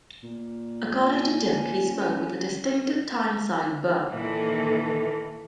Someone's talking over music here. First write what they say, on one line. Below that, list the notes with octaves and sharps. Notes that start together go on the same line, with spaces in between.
According to Dilke he spoke with a distinctive Tyneside burr.
A#2
C#4
A#2 D#3 E3 A#3 A4